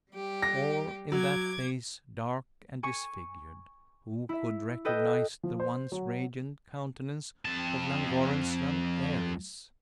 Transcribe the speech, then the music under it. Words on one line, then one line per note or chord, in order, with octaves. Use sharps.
Or in that face, dark and disfigured, who could recognise the once radiant countenance of Llangorren's young heiress?
G3 G4
A#6
F#3 D6 G#6
G#5 C#6
E4 E5
A4 B4 D#5 G5
F3
C5
F#3
F2 A5